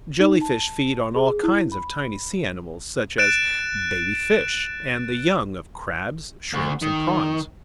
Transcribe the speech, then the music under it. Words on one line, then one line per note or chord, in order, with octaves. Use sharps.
Jelly-fish feed on all kinds of tiny sea animals, such as baby fish, and the young of crabs, shrimps, and prawns.
D#4
A5
G#4
E4
B5
F#6 A6 D7 E7
D2
D#3